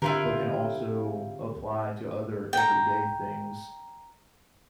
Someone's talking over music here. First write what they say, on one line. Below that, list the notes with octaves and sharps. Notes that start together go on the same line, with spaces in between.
but can also apply to other everyday things
D3 C4 E4 F4 G4 A#4 C#5
G5 A#5